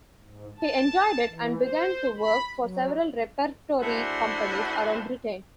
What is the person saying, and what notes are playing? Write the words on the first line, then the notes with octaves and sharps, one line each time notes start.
He enjoyed it and began to work for several repertory companies around Britain.
G#2
A5
E3
C5
B5
F#3
A3 D4 E4 F#4 G#4 C5